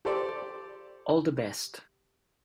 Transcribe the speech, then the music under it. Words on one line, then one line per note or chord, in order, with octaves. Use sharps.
All the best.
G4 A4 C5 D5